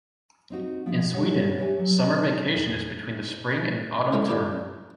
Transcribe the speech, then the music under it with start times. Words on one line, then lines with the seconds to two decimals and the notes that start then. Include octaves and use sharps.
In Sweden, summer vacation is between the spring and autumn term.
0.50 C4 D#4 F#4
0.86 F3 B3 D4 F4 G#4 E5
1.14 G3 C#4 C#5 F#5
1.58 G4 B4 C#5 E5 G5 G#5
1.79 F#3
2.55 E2 B3 A#4
4.13 E3 F#3 G#3 A3 C4 C#4
4.28 D#2 A#2 E4 G4 A4 D5